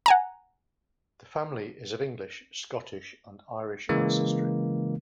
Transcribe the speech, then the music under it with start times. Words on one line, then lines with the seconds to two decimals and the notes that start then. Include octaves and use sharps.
The family is of English, Scottish and Irish ancestry.
0.06 F#5 G#5 A#5
3.89 C#3 E3 G#3 A#3